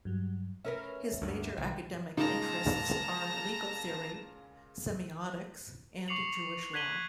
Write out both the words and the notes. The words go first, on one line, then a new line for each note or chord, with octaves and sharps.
His major academic interests are legal theory, semiotics, and Jewish law.
G2 F#3
C#4 A#4 B4 E5
D2 G2
B1 D#3
A#2 C#3 G#3 D#4 A5 A#5
C#6 D6 C7 C#7 F7 F#7
F#6 G#6 B6 D#7 F#7 G7